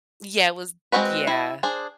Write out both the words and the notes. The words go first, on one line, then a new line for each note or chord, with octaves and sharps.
Yeah, it was Yeah.
G#3 B3 C4 F#4 B4
E4
D4 G#4 C5